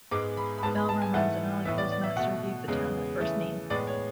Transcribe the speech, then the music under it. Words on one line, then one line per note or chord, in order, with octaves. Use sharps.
Belle Reynolds, an early postmaster, gave the town her first name.
G#2 G#3 B3 D6
B5
B5
G#2 G#3 B3 A5
B5
A5
G#5
G#2 E3 A3 F#5
A2 E3 B3 E5
D5
D5
E5
B2 A3 F#5
E2 C#3 G#3 B3
C#3 E3 A3
A2 G#3 B3 D5
C#5